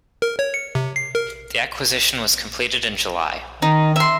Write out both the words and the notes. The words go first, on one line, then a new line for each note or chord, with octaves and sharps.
The acquisition was completed in July.
A#4
C#5
C#7
C3
C7
A#4
D#3 D#4
E5 C6